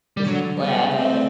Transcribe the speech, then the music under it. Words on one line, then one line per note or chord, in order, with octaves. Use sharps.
this blah
G3
D3 F#3
G3 B3
A3 C4